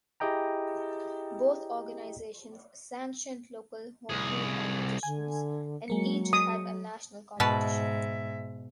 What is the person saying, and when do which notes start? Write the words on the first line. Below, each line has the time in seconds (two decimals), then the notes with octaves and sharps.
Both organizations sanctioned local homebrew competitions, and each had a national competition.
0.20 E4 G4 G#4 D#5 G5 A#5
4.09 C2 G#4
5.03 D3 G#5
5.88 F#3 G#3 A#3 C#7
6.33 D#6
7.40 G#2 B2 B4 E5 A5